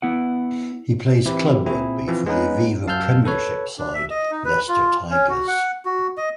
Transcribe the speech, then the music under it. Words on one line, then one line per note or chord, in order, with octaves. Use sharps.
He plays club rugby for the Aviva Premiership side Leicester Tigers.
B3 E4 F#5
E3 C4 E4 G4
A#2 C4 E4 G#4
E3 F3 C4
G#3 B3 C#4 D#4 B4
F#2 F5 A5 E6 F6 G6
A4 B4 C#5
D4
E5
D#5
D#4
B4
F4
C#4
F#4
F#5
F#4
D#5